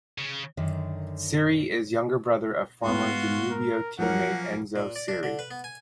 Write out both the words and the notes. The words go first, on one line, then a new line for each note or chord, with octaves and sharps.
Siri is younger brother of former Danubio teammate Enzo Siri.
C#3
F#2 D3 D#3
G#2 B3 F4 F#4 C6
A#4
F3 F#3 A#3 C#4 A#4 F#5
A#2
D5
D4
D3
B4
B3
G#5